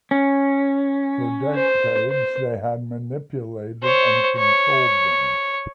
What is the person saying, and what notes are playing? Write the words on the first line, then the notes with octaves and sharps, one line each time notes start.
For decades they had manipulated and controlled them.
C#4
C5
C5
C5 C#5
C#5